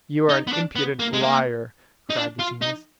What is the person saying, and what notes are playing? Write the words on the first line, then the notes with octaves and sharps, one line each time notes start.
"You are an impudent liar!" cried the genius.
D#4
B3
D4
B3
A#3
G#3
A#3
D#4
D4
F4
D#4